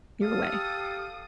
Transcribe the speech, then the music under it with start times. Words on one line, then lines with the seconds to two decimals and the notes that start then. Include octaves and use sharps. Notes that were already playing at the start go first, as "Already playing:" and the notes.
your way,
0.22 G4 A4 F5 D#6